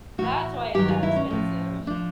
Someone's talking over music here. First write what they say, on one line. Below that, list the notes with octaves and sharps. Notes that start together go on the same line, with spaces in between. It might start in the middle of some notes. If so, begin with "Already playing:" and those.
that's why it's that expensive."
A2 E3 F#4
G2 D#3 F#3 G4
F4
E4
C#4
A2 F3
F3 D4